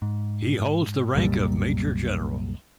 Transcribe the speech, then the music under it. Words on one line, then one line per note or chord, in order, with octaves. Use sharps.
He holds the rank of Major General.
G#2
C2 F#2 A#2 G3